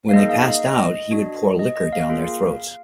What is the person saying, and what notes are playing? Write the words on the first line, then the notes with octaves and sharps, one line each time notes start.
When they passed out, he would pour liquor down their throats.
F5
A#3 D#4 G#4 D#5
F5
D#5
D#5
D4 F#4
D#5
D#5
F5
A#3 F4 G#4